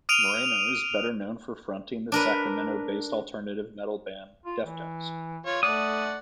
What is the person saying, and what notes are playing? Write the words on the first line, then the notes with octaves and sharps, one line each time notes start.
Moreno is better known for fronting the Sacramento-based alternative metal band Deftones.
D#6 F6 D7 D#7 F7
D4 A#4 B4
F4
E3
F4 C#5
A3 D5 F#5 D#6